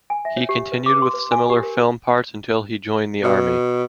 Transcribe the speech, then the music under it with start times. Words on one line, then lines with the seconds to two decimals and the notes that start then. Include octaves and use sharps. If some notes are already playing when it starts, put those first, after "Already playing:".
He continued with similar film parts until he joined the army.
0.10 G#5
0.25 E5
0.37 C#5
0.49 G4
0.72 B4
0.86 D6
1.02 C6
1.14 B4
1.32 G#5
1.50 G4
1.63 A#4
3.24 B2